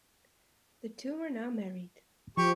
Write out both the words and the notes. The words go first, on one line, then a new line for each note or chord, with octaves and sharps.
The two are now married.
F3 G4 C#6